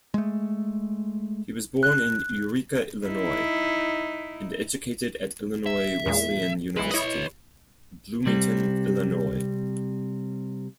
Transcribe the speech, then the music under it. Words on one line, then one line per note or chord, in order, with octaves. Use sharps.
He was born in Eureka, Illinois, and educated at Illinois Wesleyan University, Bloomington, Illinois.
G#3 A3
F#6
D#4 E4
E5
E2 A#2 G#3
B1 G#3 E4 B4
E4 B4 C#5 D#5
C3 G3 C4